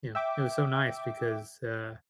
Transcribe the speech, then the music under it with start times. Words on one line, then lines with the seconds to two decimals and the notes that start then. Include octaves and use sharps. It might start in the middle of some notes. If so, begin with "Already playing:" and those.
you know, it was so nice because, uh,
0.15 E5 G5 D6